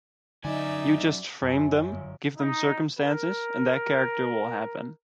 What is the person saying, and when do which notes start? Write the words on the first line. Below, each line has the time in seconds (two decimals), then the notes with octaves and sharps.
You just frame them, give them circumstances, and that character will happen.
0.45 F#2 D3 F#3 D#4 D5 E5 G#5
1.42 F#2
1.92 G1
2.38 D#4
2.97 A#4